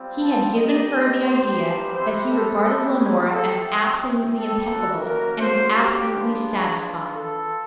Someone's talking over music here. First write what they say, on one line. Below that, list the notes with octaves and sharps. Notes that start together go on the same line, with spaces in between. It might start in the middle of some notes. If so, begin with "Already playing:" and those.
He had given her the idea that he regarded Leonora as absolutely impeccable and as absolutely satisfying.
Already playing: G3 C4 F4
A5
G3 B3 D#4 G4 D#5
C5
G#3 C4 E4 G4 C5
A4
G#4
C4 E4 G4 A4
A4
A#3 C#4 F#4
A#4
C5
G4
B3 D4 F4
G#4
A4